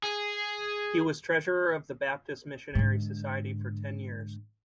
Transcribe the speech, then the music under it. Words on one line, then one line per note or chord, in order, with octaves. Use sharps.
He was Treasurer of the Baptist Missionary Society for ten years.
G#4
G#2 D3